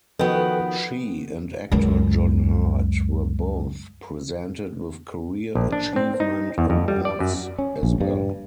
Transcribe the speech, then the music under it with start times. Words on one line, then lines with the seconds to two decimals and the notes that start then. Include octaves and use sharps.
She and actor John Hurt were both presented with Career Achievement Awards as well.
0.19 D#3 F3 B3 F#4 A4 B4 G5
1.72 C#2 F#2
5.55 A#1
5.72 D4
5.96 C4
6.20 D#4
6.58 E2
6.70 F2
6.88 G3
7.05 D5
7.20 F#2
7.59 C#4
7.83 A#1
8.01 G2